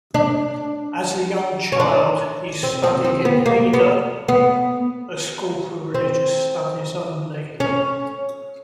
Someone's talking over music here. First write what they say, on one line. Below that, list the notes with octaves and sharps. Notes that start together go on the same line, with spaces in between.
As a young child he studied in heder, a school for religious studies only.
D4
C#4
D4
C4
C4
C4
B3
A#3
B3
B3
C4
C#4